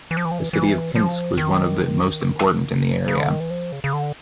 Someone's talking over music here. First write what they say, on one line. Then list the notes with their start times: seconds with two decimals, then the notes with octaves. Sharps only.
The city of Pinsk is one of the most important in the area.
0.11 E3
0.17 F3
0.25 E3
0.31 F3
0.38 E3
0.53 E3
0.95 F3
1.37 D#3
3.08 C#3
3.18 D3
3.30 D#3
3.40 E3
3.50 F3
3.72 C#3
3.84 C#3
3.93 D3